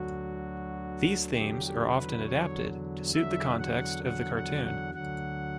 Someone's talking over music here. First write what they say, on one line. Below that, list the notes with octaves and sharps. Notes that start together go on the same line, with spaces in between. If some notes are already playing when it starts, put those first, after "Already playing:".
These themes are often adapted to suit the context of the cartoon.
Already playing: D2 D3 F#3 F#4
E2 D3 F#3 G4
G4
B4
C#5
E2 D3 F#3 E5
F#5
F#5
F#5
F#5
D2 D3 F#3 F#5